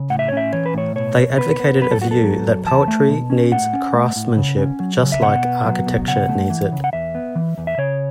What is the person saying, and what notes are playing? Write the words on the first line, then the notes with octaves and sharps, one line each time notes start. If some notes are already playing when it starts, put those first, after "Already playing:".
They advocated a view that poetry needs craftsmanship just like architecture needs it.
Already playing: C#3
A2 F#5
E5
C#5
C#4 E5
E3 C#5
B4
A2 C#5
B2 C#5
B2
B3 B4
B3
F#2 B4
A4
B3 F#4
A4
F#3
F#2
E2 A5
A3
B2
C#4
A2 F#5
C#4
A3
A2
C#3
C#4
F#3
C#3
E5
B2 F#5
B3
F#3
B2
C#3 F#5
A3
E3
C#3
F#5
E2 E5
B3
E3
E2
E5
C#3 C#5